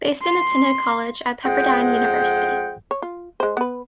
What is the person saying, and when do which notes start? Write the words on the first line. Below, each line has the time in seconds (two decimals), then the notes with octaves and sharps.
Baisden attended college at Pepperdine University.
0.23 C6
1.45 F2 G#3 F#5 G5
2.91 C#5
3.02 F4
3.40 G#3 C5
3.57 B3 B4